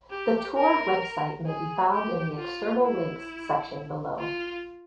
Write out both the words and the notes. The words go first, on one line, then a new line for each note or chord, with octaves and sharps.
The tour website may be found in the external links section below.
G4
A#4
G#4
G4
F4
E4
F4